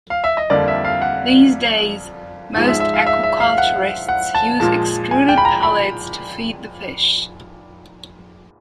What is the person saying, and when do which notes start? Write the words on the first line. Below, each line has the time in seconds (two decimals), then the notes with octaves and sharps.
These days, most aquaculturists use extruded pellets to feed the fish.
0.10 F5
0.24 E5
0.37 D#5
0.50 F2 D3 G3 A#3 D5
0.68 E5
0.84 F5
1.02 F#5
2.55 G#2 F3 G#3
2.68 E5
2.80 E5
2.94 F5
3.06 E5
3.23 E5
3.40 F5
3.58 F#5
4.09 F#5
4.35 A5
4.60 A#2 F3 G#3 A5
5.11 G#5
5.29 G5
5.38 B5
5.45 A#5
5.63 B5